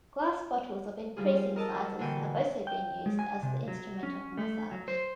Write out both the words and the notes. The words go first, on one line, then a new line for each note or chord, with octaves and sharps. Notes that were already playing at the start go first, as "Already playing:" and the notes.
Glass bottles of increasing sizes have also been used as the instrument of massage.
F3 G3 F4 G#4
A#4 D#5 A5 E6
F#3
A#2 D3 E3 F#4 G5 G#5
G5
G#3
G#5
C3
F#3
C#4
A3
F#3
C5